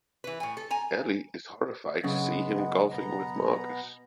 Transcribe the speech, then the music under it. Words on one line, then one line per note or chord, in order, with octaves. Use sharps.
Ellie is horrified to see him golfing with Marcus.
E3 B4
A2 G#5
A4
G#5 A#5
F#2 C#3 G#3 B3
B2 B3 A#5